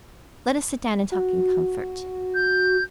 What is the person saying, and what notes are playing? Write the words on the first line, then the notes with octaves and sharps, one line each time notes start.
Let us sit down and talk in comfort.
F#4
G6